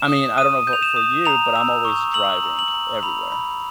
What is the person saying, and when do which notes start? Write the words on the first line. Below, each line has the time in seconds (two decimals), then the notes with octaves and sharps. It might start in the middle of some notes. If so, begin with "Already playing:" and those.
I mean, I don't know v for you, but I'm always driving everywhere.
Already playing: E7
0.08 D#6
0.38 D#6 D#7
0.67 G6
0.73 F7
0.82 E7
0.96 D#6
1.25 A#5 F7
1.56 E6
1.85 C#6
2.14 E6 F#7
2.43 A#5
2.59 F#7
2.74 A#5
3.03 B5 F7
3.32 B5